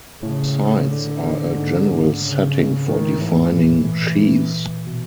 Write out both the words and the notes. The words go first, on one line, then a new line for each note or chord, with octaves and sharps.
Sites are a general setting for defining sheaves.
A2 C#3
D3
G#2
C#3
A2 D#3
G#2
A2 E3
A#2
B2